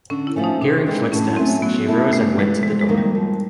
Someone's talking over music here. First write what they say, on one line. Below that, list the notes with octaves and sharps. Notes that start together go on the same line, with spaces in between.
Hearing footsteps, she rose and went to the door.
D3 C#4
E4
F3 A3 C#4
D#4
C3 D4
E3 G#3 C4
A2 C#4
F#3 A3 C4 C#4
F#3 B3
A3 C#4 E4 A4
C#3 A3
E3 G3 G#3 B3
C3 G#3
G#3
D#3 F#3 A#3
G3
F2